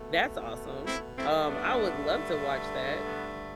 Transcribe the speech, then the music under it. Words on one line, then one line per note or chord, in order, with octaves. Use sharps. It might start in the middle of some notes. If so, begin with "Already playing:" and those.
that's awesome. Um, I would love to watch that
Already playing: B2 A3
C4 E4
G2 D3 A3 C4 E4
B3 D4
B3